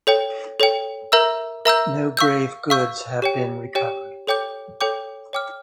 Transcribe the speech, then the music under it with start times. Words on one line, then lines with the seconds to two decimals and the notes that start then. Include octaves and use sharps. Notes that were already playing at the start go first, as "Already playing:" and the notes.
No grave goods have been recovered.
0.07 A4 C#5 G5
0.60 A4 C#5 G5
1.12 A#4 E5 A#5 E6 G6
1.65 A#4 E5 A#5 E6 G6
2.17 F5 C#6 E6 G6
2.70 F5 C#6 E6 G6
3.22 G4 C#5 G5
3.75 G4 C#5 G5
4.27 A4 C#5 G5 D6 G6
4.81 A4 C#5 G5 D6 G6
5.33 C#5 G5 D6 F6